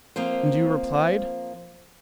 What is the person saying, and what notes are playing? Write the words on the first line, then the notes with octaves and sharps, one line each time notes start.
"And you replied?"
F3 A#3 C4 C5